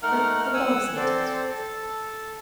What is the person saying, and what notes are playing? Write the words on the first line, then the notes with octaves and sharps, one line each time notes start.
But the dogs ate it.'
A3 D#4 A#4 F#5 F6
F#5 G#5 E6
C4 A4 C5 D5
A4